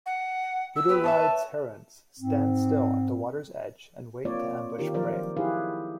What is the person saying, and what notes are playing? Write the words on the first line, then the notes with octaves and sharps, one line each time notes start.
"Butorides" herons stand still at the water's edge and wait to ambush prey.
F#5
E6
B3 G4 B4
C#5 D#5 E5 A5
G#2 C4
A#3 C4 F4 C#5 D5
D#3 D#4 F4 G4 A#4
F3 F#3 F4 A#4 C5 D5
D#4 E4 G4 G#4 B4 F5